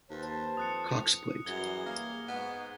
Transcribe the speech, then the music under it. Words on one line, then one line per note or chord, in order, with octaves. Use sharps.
Cox Plate.
D#2 B4 C5 A5
F2 D#6 F#6 C#7
F#2 E3 G3 G#4 G#6 G7
A#3
G#2 B3